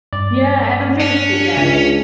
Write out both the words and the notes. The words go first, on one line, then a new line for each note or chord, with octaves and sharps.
Yeah, I haven't finished it yet,
G2 D5
C#4 D4
C#2 C#3